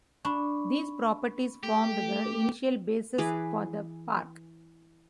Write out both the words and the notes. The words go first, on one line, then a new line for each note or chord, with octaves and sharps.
These properties formed the initial basis for the park.
D4 B5 C#6
A3 G4
E3 G#4 B4 D6